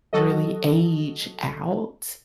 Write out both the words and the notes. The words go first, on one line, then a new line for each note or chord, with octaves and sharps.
really age out.
F#3 F#4 A4 D#5